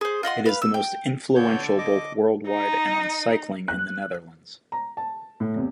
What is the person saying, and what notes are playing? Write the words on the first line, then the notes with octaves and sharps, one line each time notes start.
It is the most influential both worldwide and on cycling in the Netherlands.
G#4 C5
F4 D#5 F#5 C6
B4 F5
E6
G5
D3 B3 C#5 G6
D#5 D6
D#4
F#6
A#5
A5
A2
E2 C3